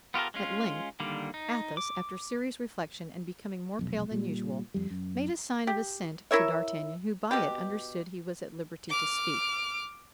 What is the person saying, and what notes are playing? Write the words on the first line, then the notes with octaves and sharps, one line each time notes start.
At length Athos, after serious reflection and becoming more pale than usual, made a sign of assent to d'Artagnan, who by it understood he was at liberty to speak.
B3 F4 G4 A4 A#4
G#3 C#4 F4
D3 D#3 G3 A#3
D#4
D6
F1 B1
A#2 G3
F2 G3
F#2
G4
E4 A#4 C#5 E5
B2 G4
D6 F6